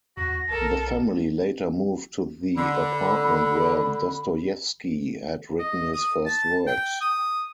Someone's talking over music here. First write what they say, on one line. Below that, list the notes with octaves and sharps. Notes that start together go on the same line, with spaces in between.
The family later moved to the apartment where Dostoyevsky had written his first works.
E2 F#4 A#6
B1 A4 A#4
D3 B5
D#5
D#6
A5
G5
D#6